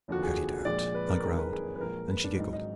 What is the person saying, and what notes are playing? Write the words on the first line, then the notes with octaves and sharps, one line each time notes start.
"Cut it out," I growled, and she giggled.
F1 D#2 D3 F3 F#4
G#4
A#1 A#2 G#3 D5
B4
A#4
F#1 F2 D#3 G#3 A#4
B4
G#4
B4
A#1 A#2 F3 G#3 A#4
B4
D4
G#1 G#2 F#3 D#4
D#4